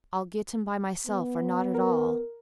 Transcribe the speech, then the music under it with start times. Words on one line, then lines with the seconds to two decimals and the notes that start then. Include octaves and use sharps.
I'll get him by myself or not at all.
1.07 B3
1.74 A#4